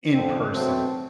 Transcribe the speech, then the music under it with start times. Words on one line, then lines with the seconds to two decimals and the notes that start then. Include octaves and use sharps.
in person?
0.11 F2 D3 F3 C4
0.52 B2 F#3 A3 C4